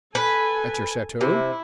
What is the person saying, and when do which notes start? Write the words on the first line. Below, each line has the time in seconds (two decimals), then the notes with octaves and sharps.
"At your chateau."
0.15 A4 B4 G#5
1.21 C3 E4